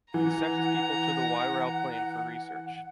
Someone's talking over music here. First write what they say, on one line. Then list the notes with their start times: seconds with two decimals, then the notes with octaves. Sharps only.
He sent his people to the Wairau Plain for research.
0.14 E3 F#5 A#5